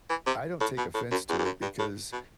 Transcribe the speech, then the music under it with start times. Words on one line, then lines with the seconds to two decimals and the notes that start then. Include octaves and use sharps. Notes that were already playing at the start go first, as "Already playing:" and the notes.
I don't take offense to it because,
0.10 E3
0.27 C3
0.61 A2
0.78 B2
0.94 A2
1.11 F#2
1.29 E2
1.39 E2
1.45 F#2
1.62 G2
1.79 A2
2.12 B2